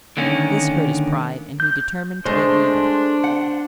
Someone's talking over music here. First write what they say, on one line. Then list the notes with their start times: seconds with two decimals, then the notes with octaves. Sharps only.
This hurt his pride, and he determined to get even.
0.17 D3 D#3 A#3 C#4
1.60 G6
2.25 G#3 A3 D4 C5
3.24 F#5